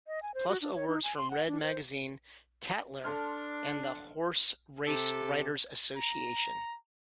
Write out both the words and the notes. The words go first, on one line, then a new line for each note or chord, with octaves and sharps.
Plus awards from "Red" magazine, "Tatler" and the Horserace Writers' Association.
D#5
G#5
C5
F#4
D4
C#5
D#4
G#5
C6
F#5
D4
C5
D4 A4 C6 F6
C3 G4 A4
A#5